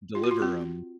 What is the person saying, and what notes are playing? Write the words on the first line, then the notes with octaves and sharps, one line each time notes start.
deliver 'em.
F4
F#4
F4
C4